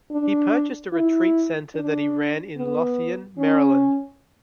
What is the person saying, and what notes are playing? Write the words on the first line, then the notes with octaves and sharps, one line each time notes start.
He purchased a retreat center that he ran in Lothian, Maryland.
D4
E4
D4
B3
C#4